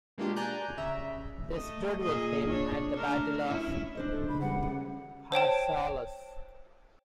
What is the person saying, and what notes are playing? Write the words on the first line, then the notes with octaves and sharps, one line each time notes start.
They stood with him at the Battle of Pharsalus.
B2 G#3 A#3 D4 F4 G4
D5 G#5 A#5 F#6 G6
C#3 E5 A#5
A3 D#5
A#2 G#4 D#5
D4 C#5
A3 D4 A#4
C#4 E4
D4 C5 D#5
A4
C#3 B5
E2 G3 F#5
D2
C5 C#5 G5 A5